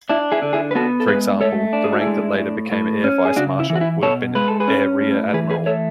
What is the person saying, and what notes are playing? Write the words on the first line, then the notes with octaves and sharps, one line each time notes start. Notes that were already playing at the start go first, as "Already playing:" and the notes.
For example, the rank that later became air vice-marshal would have been air rear-admiral.
D4 E4
E4 G#4
D3
E4 G#4
B4
B3 F#4 A4
A4
G#3 G#4 B4
A3 A4 C#5
D4
G#4
F#4
G#3 E4 G#4
A2
A2
C#4
G#4
C#3 D4 F#4
E4
E3
F#4
E4
B2 A4 C#5
G#3 B4
A4
G#4 B4
C#4
A2
E3 G#4 B4
G#4 B4
A3 A4 C#5